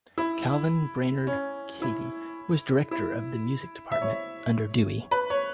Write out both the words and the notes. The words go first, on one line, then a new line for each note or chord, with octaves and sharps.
Calvin Brainerd Cady was director of the music department under Dewey.
E4
C#4
E4
E4
E5
C#5
B4
C#5